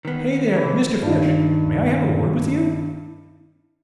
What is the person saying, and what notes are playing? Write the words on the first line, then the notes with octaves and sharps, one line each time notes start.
"Hey there, Mr. Fish, may I have a word with you?"
D#3 B3
E3
G2 D#3